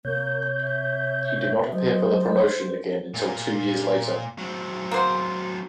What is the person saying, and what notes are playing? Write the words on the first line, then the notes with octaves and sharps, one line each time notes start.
He did not appear for the promotion again until two years later.
C3 A#3 C#5 G6
E5
F#3 C5 D#5
A#2 A#3
F#3 C4
A#3 B3 C5